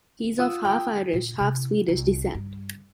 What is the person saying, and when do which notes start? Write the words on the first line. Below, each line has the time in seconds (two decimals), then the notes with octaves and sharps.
He is of half-Irish, half-Swedish descent.
0.39 F4 D#6 E6
0.65 G5
1.13 A#2
1.39 C3 E4
1.88 C2
2.35 G2